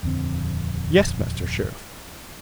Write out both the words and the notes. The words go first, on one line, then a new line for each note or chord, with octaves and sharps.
"Yes, Master Sheriff."
D#1 F2 D3 C4